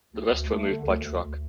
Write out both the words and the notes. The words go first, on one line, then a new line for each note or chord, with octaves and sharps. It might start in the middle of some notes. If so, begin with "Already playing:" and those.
The rest were moved by truck.
D2
D2
A3
D3
D2
D2
D2